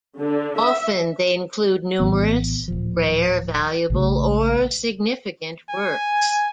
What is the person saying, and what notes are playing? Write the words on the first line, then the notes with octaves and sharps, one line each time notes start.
Often, they include numerous rare, valuable, or significant works.
D3
E5
A#1 A2 E3 B3
D1 A#2 F3
A#1 C#3 A3
G#5